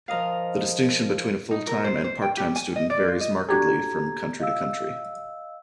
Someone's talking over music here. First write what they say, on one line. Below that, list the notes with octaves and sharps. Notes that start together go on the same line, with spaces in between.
The distinction between a full-time and part-time student varies markedly from country to country.
F3 A#4 D#5 F5
D#4
A#4
C5
C5
G5
G4
G#5
D#5
D5
F4
D#5
D4 F#4 G4 A4 A#5 G#6
D#5 F5 E6